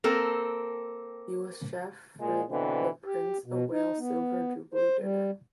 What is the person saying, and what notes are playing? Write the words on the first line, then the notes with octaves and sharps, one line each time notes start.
He was chef for the Prince of Wales' Silver Jubilee dinner.
A#3 C4 A4 A#4
A#2 G#3
B2 D3 E3 C4
G4
B2
D#4
B3
C5
G3